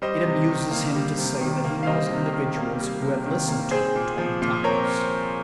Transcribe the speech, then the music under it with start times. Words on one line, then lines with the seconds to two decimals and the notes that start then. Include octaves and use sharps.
It amuses him to say that he knows individuals who have listened to it twenty times.
0.02 G3 C5 D#5
0.25 C3
0.48 D#3
0.71 A#3
0.95 G3
1.18 C3
1.41 D#3
1.65 A#3
1.83 F5
1.86 G3 C5 D#5
2.11 C3
2.33 D#3
2.57 A#3
2.80 G3
3.02 C3
3.26 D#3
3.48 A#3
3.71 C4 G#4 C5
3.95 A#2
4.18 F3
4.42 A#2
4.64 C4 A#4 C#5